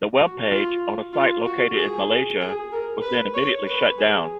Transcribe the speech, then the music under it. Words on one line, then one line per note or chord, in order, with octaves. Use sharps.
The web page, on a site located in Malaysia, was then immediately shut down.
F#4
F4
F4
F#4
G#4
G#4
A#4
B4
C#5
B4
G#4